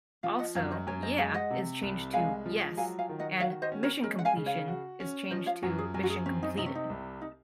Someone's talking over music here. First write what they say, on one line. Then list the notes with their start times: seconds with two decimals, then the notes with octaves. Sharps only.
Also 'Yeah' is changed to 'Yes' and 'Mission Completion' is changed to 'Mission Completed'.
0.23 F3 F5 G#5
0.39 D#5 F#5
0.55 F#2 C#5 F5
0.71 C5 D#5
0.87 F#2 A#4 C#5
1.02 C5 D#5
1.18 G#3 F5 G#5
1.34 D#5 F#5
1.51 C3
1.82 C2
2.13 G#3 F5 G#5
2.46 F3
2.77 F#3 F5 G#5
2.99 F5 G#5
3.09 D#3
3.19 D#5 F#5
3.40 F#4 C#5 F5
3.62 C5 D#5
3.72 C#4
3.83 A#4 C#5
4.04 G#3 A#4
4.19 F#5
4.25 F5 G#5
4.36 C#3
4.46 C#5 F5
4.68 F#4
5.00 C#4
5.30 F3 C5 D#5
5.46 C#5 F5
5.63 F#2 F#4
5.79 G#4
5.94 F#2 A#4
6.03 F#4
6.10 G#4
6.26 C4 C#4
6.43 D#4
6.57 C3 D#4
6.66 C#4
6.75 D#4
6.90 C2
7.22 D#4